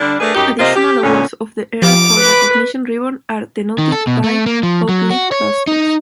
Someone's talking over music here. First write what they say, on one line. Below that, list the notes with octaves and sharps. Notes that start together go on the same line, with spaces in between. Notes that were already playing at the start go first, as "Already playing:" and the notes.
Additional awards of the Air Force Recognition Ribbon are denoted by oak leaf clusters.
D3 G3 D4
A3 D4 G#4 A#4 B4
F#2 D#4 G4
C3 A#3 F4 C5 D#5
G4
A#2 D3 B3 C#4
F3 G4 F5 D6
B4
D#3
A4
B2
A3
A#3
F3
F#3
F#4
C#5
D#4